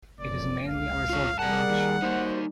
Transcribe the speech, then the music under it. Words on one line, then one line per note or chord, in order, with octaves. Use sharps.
It is mainly a resort village.
F#1 F2 D5
C#2 F5
F4 C#5
C3 G3 G#4 A#4 D5 F#5 A5
D#2
A#3 D#4 F#4 C5